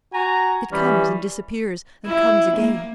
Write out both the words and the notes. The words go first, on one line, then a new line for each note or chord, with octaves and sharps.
It comes and disappears, and comes again.
F#4 G#5 A#5
E3 G3 C#4
E4
A#3